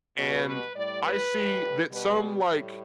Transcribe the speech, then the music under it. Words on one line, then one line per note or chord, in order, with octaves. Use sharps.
and I see that some, like,
B2 G3 B4
B4
A2 G3 D5
B4
A2 E3 G3
B2 G3 B4
A2 G3